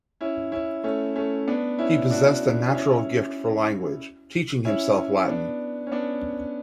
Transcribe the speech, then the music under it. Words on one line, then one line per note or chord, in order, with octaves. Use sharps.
He possessed a natural gift for language, teaching himself Latin.
C#4 E4
C#4 E4
A3 C#4
A3 C#4
B3 D4
C#4 E4
D4 F#4
C#4 E4
C#4 E4
B3 D4
C#4
B3 D4